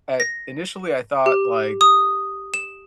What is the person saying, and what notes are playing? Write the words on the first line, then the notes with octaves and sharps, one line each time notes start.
uh initially, I thought, like,
A#6
G4
D#6
E7